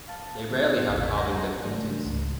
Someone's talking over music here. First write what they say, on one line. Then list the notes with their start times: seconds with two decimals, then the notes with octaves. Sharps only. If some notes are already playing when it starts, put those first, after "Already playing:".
They rarely have calving difficulties.
0.08 F5 A5
0.49 D3 B3 E4
0.89 A1 E2 C#3 B6
1.18 F#5 G#5 A5 F#6 G6 A#6
1.63 G#2 C#3 E3 A3 D4
2.05 C#2 G#2